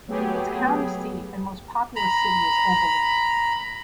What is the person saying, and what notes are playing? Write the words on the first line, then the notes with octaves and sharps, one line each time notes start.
Its county seat and most populous city is Oberlin.
F#3 A3 B3 G4 G#4
A#5 B5